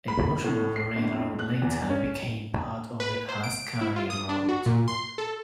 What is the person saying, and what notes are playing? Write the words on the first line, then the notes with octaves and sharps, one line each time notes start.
A portion of the railroad later became part of the Alaska Railroad.
B5
A2
C7
G1
F2
F#6
E2
C#4
B4
C5
D7
E4
F4
D#6
D4
F#4
A#2
C6
A4